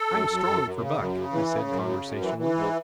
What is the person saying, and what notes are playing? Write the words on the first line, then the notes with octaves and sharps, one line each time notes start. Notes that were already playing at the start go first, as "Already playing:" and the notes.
"I'm strong for Buck," he said conversationally.
Already playing: A4
F#2
F#2
F#2
F#2
C#3
F#2
C#3
E3
C#3
F#2
C#3
F#2
E3
E3
G#2